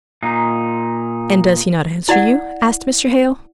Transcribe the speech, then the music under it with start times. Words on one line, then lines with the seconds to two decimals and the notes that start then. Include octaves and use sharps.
'And does he not answer you?' asked Mr. Hale.
0.23 A#2 D#4
2.09 E4 D5 F#5